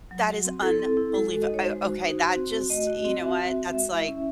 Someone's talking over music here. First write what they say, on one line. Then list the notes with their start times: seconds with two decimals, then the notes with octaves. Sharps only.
That is unbelieva o okay, that just you know what, that's like
0.11 F#3
0.28 F#4
0.45 C4
0.62 E4 A4
0.79 C4
0.97 E4
1.14 G#3
1.32 F#4
1.42 D#5
1.49 D#4
1.54 C#5
1.66 G#3 C5
1.83 F#4
2.01 D#4
2.18 F#4
2.36 C4
2.52 F#4
2.70 A3 D#5
2.87 F#4
3.05 C4
3.21 F#4 E5
3.39 C4
3.56 F#4
3.73 G#3 E5
3.91 E4
4.08 C#4